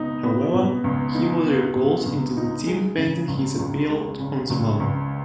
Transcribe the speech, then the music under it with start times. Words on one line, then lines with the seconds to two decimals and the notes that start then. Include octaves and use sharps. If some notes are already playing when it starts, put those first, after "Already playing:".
However, he was recalled into the team pending his appeal on the ban.
Already playing: C#2 B2 B3 D#4
0.23 B3
0.54 B2
0.84 C#2
1.15 D#4
1.45 B3
1.76 B2
2.06 C#2
2.37 D#4
2.67 G#3
2.97 C#3
3.28 C#2
3.59 C#2
3.89 G#3
4.19 C#3
4.50 C#2
4.80 C#2